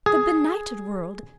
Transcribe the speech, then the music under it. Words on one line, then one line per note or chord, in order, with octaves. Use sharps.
The benighted world!
G#4